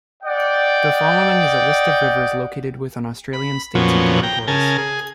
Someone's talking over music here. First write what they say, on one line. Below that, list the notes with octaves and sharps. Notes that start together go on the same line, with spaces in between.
The following is a list of rivers located within Australian states and territories.
D5 D#5 F#5 G5
B5
F2 A#2 F3 F#3 B3 C#4
G5 A#5
C#3 A#4 G#5 A5
G#4